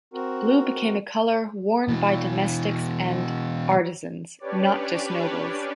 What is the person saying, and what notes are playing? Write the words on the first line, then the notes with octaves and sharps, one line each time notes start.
Blue became a colour worn by domestics and artisans, not just nobles.
C4 F#4 A#4
B2 E3
C#4 D4 G4 B4 C#5 D5